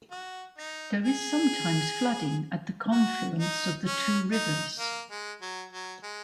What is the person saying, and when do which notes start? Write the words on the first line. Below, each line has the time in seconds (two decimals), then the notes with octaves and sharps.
There is sometimes flooding at the confluence of the two rivers.
0.11 F#4
0.58 D#4
1.05 G#4
2.92 F#4
3.39 D#4
3.86 C#4
4.32 D#4
4.79 A#3
5.11 G#3
5.42 F#3
5.73 F#3
6.03 G#3